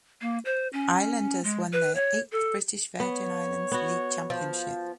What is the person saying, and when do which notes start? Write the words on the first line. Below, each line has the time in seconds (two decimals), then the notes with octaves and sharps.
Islanders won their eighth British Virgin Islands league championship.
0.21 A#3
0.45 C5
0.73 C#4
1.44 G#3
1.73 B4
1.95 C#5
2.32 A4
3.00 B3 C#5
3.72 B3 F#4
4.30 F3